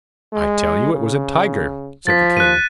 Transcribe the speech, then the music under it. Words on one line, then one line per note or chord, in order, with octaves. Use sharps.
'I tell you it was a tiger,' said the king.
G#3
C#3
F3 A6 B6
F#6 D#7